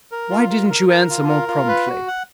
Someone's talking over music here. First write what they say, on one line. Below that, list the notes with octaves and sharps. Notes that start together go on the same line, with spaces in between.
Why didn't you answer more promptly?
A#4
F4
A#4
A#4
A#4
F4
A#4
F4
B4
F#4
F#5